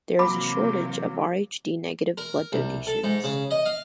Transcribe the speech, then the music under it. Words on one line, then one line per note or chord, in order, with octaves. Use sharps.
There is a shortage of Rhd-negative blood donations.
C3 E3 F#3 A#3 B5 D6
A#4
C2
A4
G#2
C#3
D#5
F5